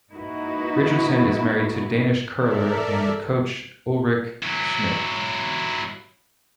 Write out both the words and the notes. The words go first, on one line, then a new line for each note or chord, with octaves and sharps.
Richardson is married to Danish curler and coach Ulrik Schmidt.
A#3 D#4 E4 F#4 B4
A4 A#4 D5 E5
F#3 E4